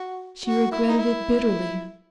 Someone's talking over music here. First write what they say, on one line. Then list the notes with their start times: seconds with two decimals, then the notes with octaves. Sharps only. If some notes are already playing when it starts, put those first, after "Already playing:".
She regretted it bitterly.
Already playing: F#4
0.44 F#4
0.71 E4
0.88 D#4
0.97 E4